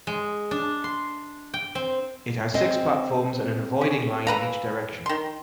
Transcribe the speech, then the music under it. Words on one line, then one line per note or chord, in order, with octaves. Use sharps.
It has six platforms and an avoiding line in each direction.
G#3
D4
C6
G5
C4
G#3 C4 D#5
C#4
E3 B4 F5 A#5
D#3 C6